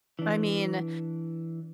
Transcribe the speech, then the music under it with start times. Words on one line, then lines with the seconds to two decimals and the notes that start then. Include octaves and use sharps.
I mean,
0.19 E3 D4